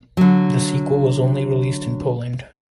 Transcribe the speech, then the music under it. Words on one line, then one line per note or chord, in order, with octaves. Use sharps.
The sequel was only released in Poland.
D3 F#3